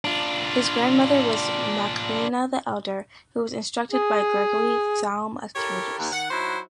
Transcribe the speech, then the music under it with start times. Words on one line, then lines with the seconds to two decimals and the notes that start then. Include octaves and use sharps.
His grandmother was Macrina the Elder, who was instructed by Gregory Thaumaturgus.
0.05 D4 F4
3.92 G#4
5.56 E4 G4 A4 A#4 C#5
5.99 D#2
6.11 D#3 F#5
6.30 F#3 D#4 E4 F#4 C5